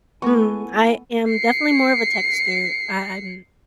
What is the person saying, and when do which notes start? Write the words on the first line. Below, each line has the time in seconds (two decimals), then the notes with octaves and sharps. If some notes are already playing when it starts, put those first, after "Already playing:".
Mm, I am definitely more of a texter. I I'm
0.22 A3 B3 E4 A4 B4 G#5 C#6
1.29 C7 C#7